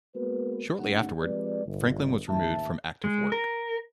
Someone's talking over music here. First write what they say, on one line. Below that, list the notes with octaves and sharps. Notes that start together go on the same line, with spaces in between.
Shortly afterward, Franklin was removed from active work.
G#3 A#3 B3 F#4 A#4 B4
G1 G2 A3 C#4 D#4 F#5
F3 G#3 C4 G4 B4 D5
G1
A1 D#2 E5 A5
G#3
A#4